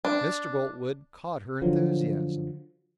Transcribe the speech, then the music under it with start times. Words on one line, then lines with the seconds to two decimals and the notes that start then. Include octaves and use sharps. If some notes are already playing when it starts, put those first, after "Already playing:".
Mr. Boltwood caught her enthusiasm.
0.05 D4
1.62 D3 F3 F#3